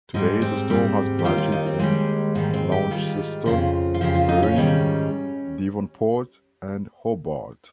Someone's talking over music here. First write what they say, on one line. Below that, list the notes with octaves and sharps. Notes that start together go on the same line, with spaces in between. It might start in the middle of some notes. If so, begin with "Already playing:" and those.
Today the store has branches in Launceston, Burnie, Devonport and Hobart.
G#2 G3 G#3
C4
G#2 G3
G4
D#2 D#3 G3 F4
F4
D#4
C4
D#2 D#3 G3 G#3
G#2 D#3 G3 A#3
C4
G4
G#2 D#3 G3 F4
F2 C#3 F3
F4
F2 C#3 F3 G4
F4
D#4
C#4
G#2 D#3 G3